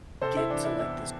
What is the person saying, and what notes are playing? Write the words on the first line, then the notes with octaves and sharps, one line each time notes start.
get to, like, this
C3 A4 C5
E4
E3 D4
E4
E2 E4